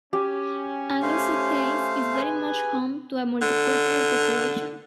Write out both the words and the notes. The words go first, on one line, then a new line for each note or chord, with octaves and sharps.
Anglesey is very much home to a multicultural population.
C#4 G4
A3 C5 F5
G#4 B4 G#5
D3